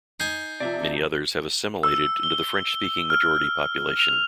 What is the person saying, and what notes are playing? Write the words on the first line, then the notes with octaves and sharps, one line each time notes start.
Many others have assimilated into the French-speaking majority population.
D#4 G#5 G6 C7
C3 F3 D5 E5
E6
G7
F6
F7